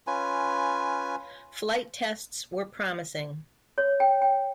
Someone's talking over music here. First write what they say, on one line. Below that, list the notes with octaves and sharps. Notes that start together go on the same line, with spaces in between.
Flight tests were promising.
C#4 F4 B4 G#5
C#5
G5
G5